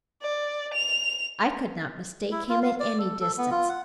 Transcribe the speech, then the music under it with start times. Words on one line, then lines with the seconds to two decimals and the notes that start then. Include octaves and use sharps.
I could not mistake him at any distance.
0.22 D5
0.74 F7
2.32 E4
2.49 F4
2.62 F5
2.80 D5
2.99 A4
3.21 A4
3.38 B3
3.51 F4
3.69 F#5